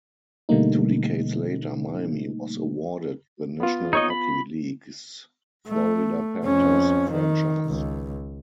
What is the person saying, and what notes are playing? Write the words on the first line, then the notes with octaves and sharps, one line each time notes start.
Two decades later, Miami was awarded the National Hockey League's Florida Panthers franchise.
B2 D3 G3 A3 A#3 D#4
B3 F4
D#4 C#5 D#5
B5
A3
F2 C#4
D#3
C#2